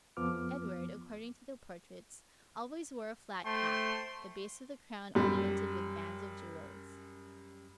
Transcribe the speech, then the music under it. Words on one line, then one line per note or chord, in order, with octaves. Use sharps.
Edward, according to the portraits, always wore a flat cap, the base of the crown ornamented with bands of jewels.
F2 F3 B3 D6 F6
A3 C5 G5 C6
F#2 G3